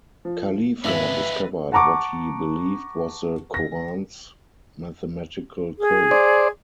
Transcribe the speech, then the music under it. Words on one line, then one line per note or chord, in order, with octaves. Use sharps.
Khalifa discovered what he believed was the Qur'an's mathematical code.
F3
G#1 F2 G#3 B4 E5 E6 F#7
F#5 A5 A#5 C#6 D6
A#6
G#4
C5 D5